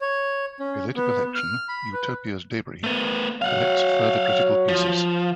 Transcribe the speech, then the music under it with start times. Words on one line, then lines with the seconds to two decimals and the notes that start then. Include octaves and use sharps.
A later collection, "Utopia's Debris", collects further critical pieces.
0.01 C#5
0.60 C#4
0.96 B3
1.35 F6
1.69 B5
1.93 B4
2.84 A3 B3
3.42 F#3 C#5 F5 F#5
4.68 F3